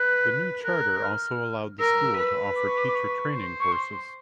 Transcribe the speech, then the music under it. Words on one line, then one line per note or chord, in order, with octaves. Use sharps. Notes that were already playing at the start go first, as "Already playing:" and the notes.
The new charter also allowed the school to offer teacher training courses.
Already playing: B4 F#6
A#4 F#6
F6
F#6
F6
A#4 E6
B4
D6
C#6
D6
D6
C#6
C5
C#6
C6